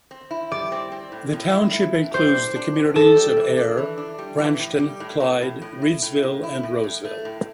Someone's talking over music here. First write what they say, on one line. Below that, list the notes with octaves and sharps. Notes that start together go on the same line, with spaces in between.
The township includes the communities of Ayr, Branchton, Clyde, Reidsville and Roseville.
C4
E4
G3 D5
C4
C4
A2
A2
E4
E4
A2
G3 C5
D4
D4
A2
A2 A4
G3
E3
D4
E3
D4
G3
E3
A2
G3
A2
A2
A2
A2
E4
A2
A2
E4
A2
A2
A3
A2